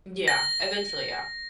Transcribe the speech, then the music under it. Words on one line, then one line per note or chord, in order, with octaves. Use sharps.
Yeah, eventually, yeah.
A#6